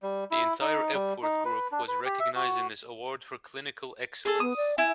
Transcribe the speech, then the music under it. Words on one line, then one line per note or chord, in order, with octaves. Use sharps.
The entire Epworth group was recognised in this award for clinical excellence.
G3
E4
D#4
G3
D#4
B4
D4
B4
G4
E5
F#4
G#4 A4
B3 D#6
D5
E4 G#5